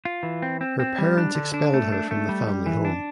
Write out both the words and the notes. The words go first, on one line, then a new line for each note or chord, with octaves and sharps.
Her parents expelled her from the family home.
F4
E3
C4
C4
C4
G3
D4
D3
D4
A3
D4
A3
G3
G3
E3
D4